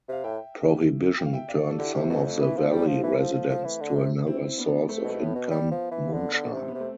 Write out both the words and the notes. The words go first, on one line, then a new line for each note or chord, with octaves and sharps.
Prohibition turned some of the valley residents to another source of income - moonshine.
C3 F5
A2 E5 G5
G5
F5
E5 G5
D5 F5
A4
D3 E4 G4
C3
B2 A3 C4
F2
E3 B3
F3 D4
G3 A3 C4
F3
E3
F3
F3
F3
E3
D3
C3
C4 E4
B3 D4
A3 C4
B2 A3
A2 B3
B2
G3
F3
E3
C4
D3 B3
D3
D4
C3 C4
B3
C3
A3 C4